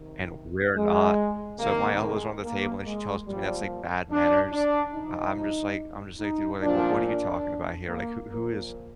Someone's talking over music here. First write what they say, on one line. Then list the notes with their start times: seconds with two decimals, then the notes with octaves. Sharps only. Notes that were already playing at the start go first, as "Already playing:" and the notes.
and we're not. So if my elbows are on the table, and she tells me that's, like, bad manners, I I'm just like I'm just like, "Dude, what, like what what are you talking about here? Like, who who is
Already playing: C3 D#3
0.76 G#3
1.59 C3 D#3 A#3
2.02 G#3
2.43 A#3
2.85 G#3
3.26 A#2 F3 G3
4.11 D4
4.52 D4
4.94 C3 F3 D#4
6.19 D#4
6.62 A#2 F3 D4
7.04 D4
7.87 A#3
8.30 A#2 F3 A#3